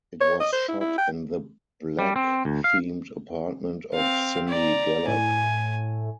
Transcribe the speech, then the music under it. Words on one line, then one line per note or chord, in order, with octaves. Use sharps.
It was shot in the black themed apartment of Cindy Gallop.
C#5
D#5
C5
E4
E4
G5
G3
C4
D2
F5
C4 F5
D5 A#5
A2 G#5